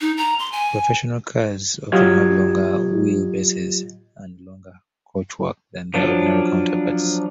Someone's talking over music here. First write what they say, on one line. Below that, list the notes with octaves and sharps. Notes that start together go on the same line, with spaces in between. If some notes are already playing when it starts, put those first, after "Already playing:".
Professional cars often have longer wheelbases, and longer coachwork than their ordinary counterparts.
D#4
A#5
C6
G#5
F#3 F4 G4 D#5 G#6
F3 F#3 D4